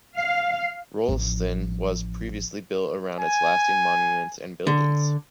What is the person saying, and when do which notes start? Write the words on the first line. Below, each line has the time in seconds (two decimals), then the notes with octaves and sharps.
Rolleston was previously built around its lasting monuments and buildings.
0.18 F5
1.08 A1 F3
3.20 G#5
4.67 D3